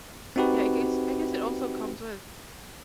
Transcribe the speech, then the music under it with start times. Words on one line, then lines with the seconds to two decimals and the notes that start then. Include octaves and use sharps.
Yeah, I guess I guess it also comes with
0.36 C4 D#4 F#4 G4 B4